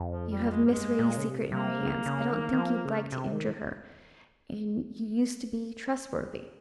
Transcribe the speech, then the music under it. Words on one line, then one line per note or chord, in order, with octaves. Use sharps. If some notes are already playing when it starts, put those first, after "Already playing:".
You have Miss Radie's secret in your hands, I don't think you'd like to injure her, and you used to be trustworthy.
Already playing: F2
F3
G3
G3
G#3
G#2 A#3
G2 G#3
A#2
C#3
C3
C3 A#3
C#3
C#3
D#3
D#3
F3
C#3
C3
D#3